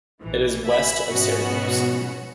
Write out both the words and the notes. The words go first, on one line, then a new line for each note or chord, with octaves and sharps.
It is west of Syracuse.
A#1 E3
E5 G#5 B5
G#2 B2 F3 B3 C#4 F#4